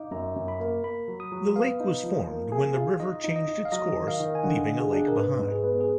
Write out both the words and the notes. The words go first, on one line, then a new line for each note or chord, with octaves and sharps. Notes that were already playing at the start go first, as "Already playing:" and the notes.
The lake was formed when the river changed its course leaving a lake behind.
Already playing: D#4 F5 D6
F#2 A#5
F#2
B5
A#3
A#3 B5
F#3
D#6
F#3
B3 F5
D#4
F3
A#3
G#4
F4
D#4 D#5
D#4
D#5
D#4
F5
F#3 D#5
D#3
F5
D#3
G#5
D3 F#5
D3
G#4
D4
A#4
G#2 B4
G#2
G#4
B3
G#4